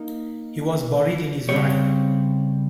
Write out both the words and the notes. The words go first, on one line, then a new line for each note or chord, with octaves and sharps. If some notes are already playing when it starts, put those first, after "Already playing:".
He was buried in Israel.
Already playing: A#3 D#4
C#3 G3 C4 G4 C#5